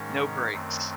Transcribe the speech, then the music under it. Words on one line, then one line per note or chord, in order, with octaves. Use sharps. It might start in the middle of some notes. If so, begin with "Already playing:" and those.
No breaks.
Already playing: G#2 D#3 G#3 C#4
F#2 D#3 A3 C4